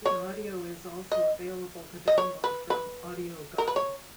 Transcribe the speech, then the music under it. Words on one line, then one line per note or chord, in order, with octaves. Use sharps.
The audio is also available to download from AudioGo.
C#5
D#5
D#5
C#5
B4
B4
A#4
B4
C#5